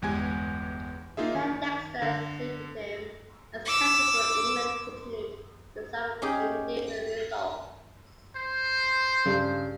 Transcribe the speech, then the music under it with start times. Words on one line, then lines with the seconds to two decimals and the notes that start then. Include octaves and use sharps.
Ted Dexter succeeded him as captain but England continued to suffer indifferent results.
0.02 G1 E2 G#3 G4 G#5 G#6
1.17 A#3 D#4 F4 G#4 E5
1.35 D#3
2.02 D3
3.66 D6 E6
6.22 C#4 D#4 G4 G#4
8.36 C5
9.25 G2 C#3